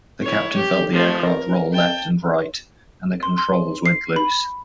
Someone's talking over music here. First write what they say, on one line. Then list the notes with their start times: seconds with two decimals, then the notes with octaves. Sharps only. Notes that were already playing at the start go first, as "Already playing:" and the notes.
The captain felt the aircraft roll left and right, and the controls went loose.
0.23 E4 C#5
0.56 G4
0.93 F3 A3
1.23 A#4
1.73 G5 A5
3.23 C6
3.38 C6
3.86 C7
4.16 B5